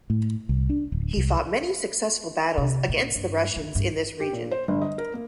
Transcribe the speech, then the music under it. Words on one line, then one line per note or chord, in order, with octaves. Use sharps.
He fought many successful battles against the Russians in this region.
A2
C2
D4
D1
C2
C3
A#2
G2
D#3
G2
G4
A#2
C5
G1
D#5
A#4
A#3